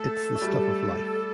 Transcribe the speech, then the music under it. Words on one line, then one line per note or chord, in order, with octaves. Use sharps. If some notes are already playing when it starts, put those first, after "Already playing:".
It's the stuff of life.
Already playing: A3 A4
A3
G3